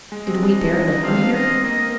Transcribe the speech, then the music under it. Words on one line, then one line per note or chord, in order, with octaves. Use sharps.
Did we dare linger here?
G#3 D#5
C4
D4
D#4
D4
C4 F5
D#5
A#3 D#5